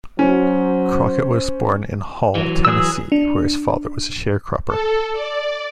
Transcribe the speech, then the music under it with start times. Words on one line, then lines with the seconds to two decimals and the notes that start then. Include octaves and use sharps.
Crockett was born in Hall, Tennessee, where his father was a sharecropper.
0.19 F#3 C#4 C5
2.35 E3 F#3
2.65 G#4 B4 E6
3.12 D4
4.67 A4
5.12 D5